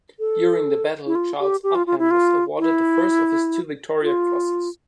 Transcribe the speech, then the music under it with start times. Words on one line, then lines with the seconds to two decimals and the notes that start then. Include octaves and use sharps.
During the battle, Charles Upham was awarded the first of his two Victoria Crosses.
0.19 A4
1.06 E4
1.15 F4
1.39 G4
1.63 G4
1.75 F4
1.87 F4
1.99 E4
2.11 F4
2.59 E4
4.02 F4